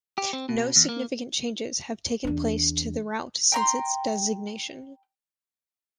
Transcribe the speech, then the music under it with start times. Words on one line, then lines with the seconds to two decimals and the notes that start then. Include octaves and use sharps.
No significant changes have taken place to the route since its designation.
0.18 G4
0.33 C4
0.49 B2
0.76 E2
0.89 A#3
2.24 E2 D4
3.52 G5 A#5 C6